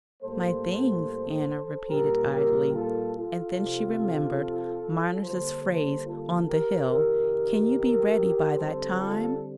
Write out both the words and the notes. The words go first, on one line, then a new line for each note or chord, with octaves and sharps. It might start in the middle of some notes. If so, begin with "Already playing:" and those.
'My things!' Anna repeated idly; and then she remembered Mynors' phrase, on the hill, 'Can you be ready by that time?'
A2 G3 A#3 A4 C5
A#2 G3 A#3 G4 A#4
G4 A#4
F4 A4
F4 A4
C3 F3 C4
D3 G3 A#3 A4 C5
A4 C5
F4 A4
G4 A#4
F2 C3 D#3 G4 A#4
D3 G3 C4 A4 C5
F4 A4